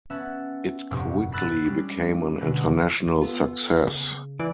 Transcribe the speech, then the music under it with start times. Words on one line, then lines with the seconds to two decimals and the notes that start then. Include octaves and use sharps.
It quickly became an International Success.
0.10 B3 C#4 C#5 E5 A5 F#6
0.91 F1 G2 A#2 F#4 G4 C#6
1.33 B5 E6 F#6 A6
1.65 G3 G#3 C#4 D4
2.38 B2 D3 G#3 D4 A#4 B4
3.22 B3 F4 A4
3.81 C#3
4.40 E3 D5